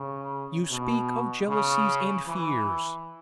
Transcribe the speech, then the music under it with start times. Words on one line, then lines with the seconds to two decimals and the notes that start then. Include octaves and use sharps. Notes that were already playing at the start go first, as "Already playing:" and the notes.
You speak of jealousies and fears.
Already playing: C#3
0.70 B2
1.49 C#3
2.27 E3